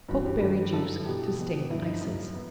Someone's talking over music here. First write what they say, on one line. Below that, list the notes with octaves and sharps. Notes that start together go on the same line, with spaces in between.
Pokeberry Juice to Stain Ices.
G2 E3 F#4
G4
G2 D#3
F#2 E3 A4
E2 B2 G4
E2 B2
G2 E3 E4
D#4
F#2 E3 D#4
B3